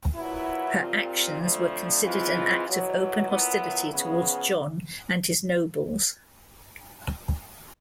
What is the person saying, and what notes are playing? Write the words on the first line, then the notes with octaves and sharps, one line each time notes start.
Her actions were considered an act of open hostility towards John and his nobles.
A#2 F#3 B3 E4
A#2 G3 C4 F4
F2 D3 F3 A3
E3 G#3 C4 F4
E2 B2 F#3
A#2 F#3 B3 E4
C#3 F3 G#3 B3